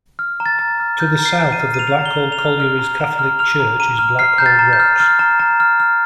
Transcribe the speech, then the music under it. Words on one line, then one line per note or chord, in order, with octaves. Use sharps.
To the south of the Blackhall Colliery's Catholic church is Blackhall Rocks.
F6
A#5
A6
A#5
F6
F6 G6
A#5
C7
A#5
D#7
F6
D#7
F6 F7
A#5
G7
A#5
F7
F6
F6
A#5
A#5
F6
F6 F7
A#5
A#5 D#7
F6
F6 C7
A#5 G6
A6
A#5
G6
F6
F6
A#5
A#5
F6
F6